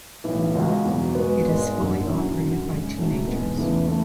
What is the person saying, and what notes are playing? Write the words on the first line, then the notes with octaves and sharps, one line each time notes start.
It is fully operated by teenagers.
B1 A2 E3
C#2 C#3 G#3 C#4 F#4
E2 B2 F#3
G#2 G#3 B3 F#4
G#1 G#2 G#3
F#1 F#2 D3
F#2 D3 F#3 C#4 E4
F#2 D3 F#3
F#2 C#3 G#3
G#2 F#3 A3 C#4
E2 B2 G#3 B3
E2 C#3 E3 A3
E3 A3